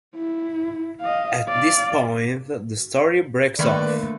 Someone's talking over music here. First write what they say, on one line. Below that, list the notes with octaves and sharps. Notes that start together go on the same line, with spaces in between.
At this point the story breaks off.
E4
D#5 F5
D5 F5
D3 D#3 A3 A#3 B4 D5